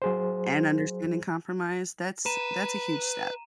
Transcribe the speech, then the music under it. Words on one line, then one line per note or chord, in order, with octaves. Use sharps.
and understanding compromise, that's that's a huge step.
F#3 G#4 C5
B4 A#5 D#7 E7